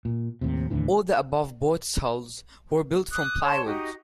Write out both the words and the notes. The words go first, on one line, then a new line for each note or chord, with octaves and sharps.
All the above boats' hulls were built from plywood.
A#2
D#2 A2 C3
D#2 A2 D3 E3
D6 D#6 F#6
C#5 A5 C6
D#4 F#4 G4 D#5